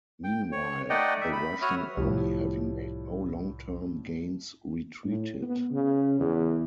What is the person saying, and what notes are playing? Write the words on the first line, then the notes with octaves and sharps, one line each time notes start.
Meanwhile, the Russian army having made no long term gains retreated.
G5
C#5
A3 D#4 D5 D#5 F#5 G5
E5
B5
F#4 C#5 E5 B5 D#6 F6
C2 A2 F3 G3
A2
B3
C#3
E2